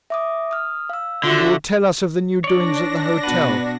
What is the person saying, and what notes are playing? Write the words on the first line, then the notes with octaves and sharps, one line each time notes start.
And you will tell us of the new doings at the hotel.
E5 D6 D#6
D#6 F6
F5 E6
D3 F4 F#4 E5
D4 C#5 D5 A#6
B2 F#4 B4